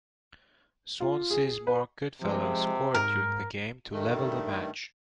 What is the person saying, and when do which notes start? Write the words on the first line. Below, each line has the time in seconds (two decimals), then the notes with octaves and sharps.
Swansea's Marc Goodfellow scored during the game to level the match.
1.00 F4
1.30 G#4
1.67 B4
2.21 C3 F3 G#3
2.94 G#2 A#4
3.92 G2 D#3 A3